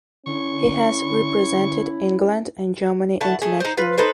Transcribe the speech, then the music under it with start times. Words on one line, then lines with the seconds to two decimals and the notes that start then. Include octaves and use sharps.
He has represented England and Germany internationally.
0.27 D3 C#4 E4 C#6
3.21 D3 E4 F#4 A5
3.42 A3 G#4
3.60 D#4 C5
3.77 F4 B4
3.98 D#4 A4 B4 C5